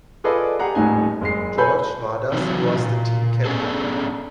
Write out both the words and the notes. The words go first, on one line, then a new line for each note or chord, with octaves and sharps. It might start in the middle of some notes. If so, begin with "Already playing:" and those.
George Vadas was the team captain.
F4 G#4 A4 B4 D5 D#5
G4 G#4 F#5 A#5
D#1 A2 D#4 G#5
F#1 G#3 C7
A4 B4 C#5 G#5 B5 G6
C3 D#3 E3 F#3
A#2
B3 C#4 D4 G#4 A4